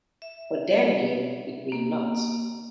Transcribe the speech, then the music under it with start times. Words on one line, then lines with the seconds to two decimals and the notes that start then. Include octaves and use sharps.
But then again, it may not.
0.22 E5
1.72 A#3